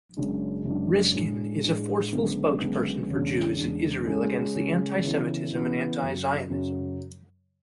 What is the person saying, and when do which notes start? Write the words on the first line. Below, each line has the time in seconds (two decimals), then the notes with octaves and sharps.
Riskin is a forceful spokesperson for Jews and Israel against anti-Semitism and anti-Zionism.
0.17 F#1 F#2 C#3 G#3 D4
0.65 F#1 F#2 C#3 G#3 D4
1.13 A2 G#3 D4 G#4
1.63 A2 G#3 D4 G#4
2.12 F#1 F#2 D3 G#3 B3
2.60 F#1 F#2 D3 G#3 B3
3.09 E2 C#3 G#3 D4
3.58 E2 C#3 G#3 D4
4.06 C#3 G#3 C#4 G#4
4.55 C#3 G#3 C#4 G#4
5.04 C#3 E3 B3
5.52 C#3 E3 B3
6.01 F#2 C#3 F#3
6.50 F#2 C#3 F#3